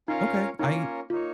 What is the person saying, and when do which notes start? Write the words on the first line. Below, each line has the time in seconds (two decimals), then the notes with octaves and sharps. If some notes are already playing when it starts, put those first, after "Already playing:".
okay. I
0.08 C#4 D#4 F4 A#4 C#5 F5
0.59 A#3 C#4 D#4 F4 A#4 C#5
1.10 A#3 D#4 F4 C#5